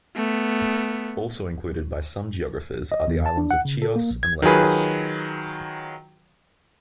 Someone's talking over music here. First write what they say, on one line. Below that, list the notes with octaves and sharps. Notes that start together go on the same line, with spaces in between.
Also included by some geographers are the islands of Chios and Lesbos.
A3 B3
D#5
E2
A5
D4
F#5
C#3
A4
A#3
A#1
G#6
D#3 F#3 F4 G#4 B4